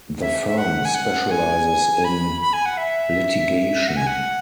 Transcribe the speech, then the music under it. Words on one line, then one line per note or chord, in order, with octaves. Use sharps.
The firm specializes in litigation.
E5
E5
F#5
G#5
F#5
G#5
B5
B5
G#5
F#5
E5
F#5
G#5
F#5